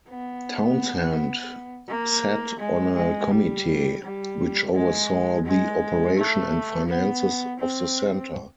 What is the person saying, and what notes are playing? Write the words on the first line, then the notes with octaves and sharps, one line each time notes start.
Townshend sat on a committee which oversaw the operation and finances of the centre.
B3
A#3
G#3
G#3
G3
G3
G#3
G#3
A3
B3
C4